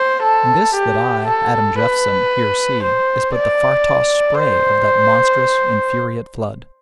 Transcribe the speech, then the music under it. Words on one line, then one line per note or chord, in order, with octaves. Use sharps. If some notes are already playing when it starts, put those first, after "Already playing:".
And this that I, Adam Jeffson, here see is but the far-tossed spray of that monstrous, infuriate flood.'
Already playing: C5
A4
G4
A4
B4
C5
D5
C5